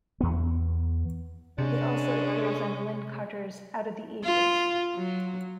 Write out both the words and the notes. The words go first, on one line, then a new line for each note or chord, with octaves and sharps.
He also appears in Lin Carter's "Out of the Ages".
E2 B3
C3 G#3 C#4 D4
F4
F#3